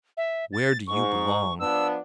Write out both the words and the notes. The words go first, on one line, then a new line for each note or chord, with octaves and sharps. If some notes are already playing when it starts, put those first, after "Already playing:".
Where do you belong?
E5
A6
G#2 C#6
F3 B3 D4 E6